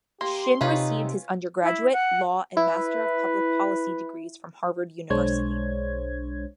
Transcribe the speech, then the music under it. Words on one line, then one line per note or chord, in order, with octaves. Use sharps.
Shin received his undergraduate, law, and Master of Public Policy degrees from Harvard University.
A#3 G4 C6
C3 C#4 D#4 F4 B4
E4
F#5
E4 B4
B1 G#3 D4 C5 C#5 G#6